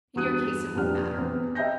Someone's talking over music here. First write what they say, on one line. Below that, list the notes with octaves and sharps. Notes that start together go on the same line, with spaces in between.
In your case, it won't matter.
E2 G2 F#4 D#6 F#6 D#7
F1 A#2 C4 D4 G4 F6
E2 C4
D#5 E5 G5 G6 A#6